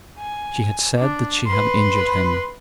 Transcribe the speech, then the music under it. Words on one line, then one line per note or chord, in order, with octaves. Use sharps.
She had said that she had injured him.
G#5
D4
B4 C6